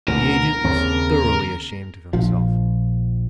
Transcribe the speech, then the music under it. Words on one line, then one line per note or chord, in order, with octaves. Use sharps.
The agent was thoroughly ashamed of himself.
D2 B2 D3 A#4
D#2 C#3 A#3 C4 A5
A#1 F3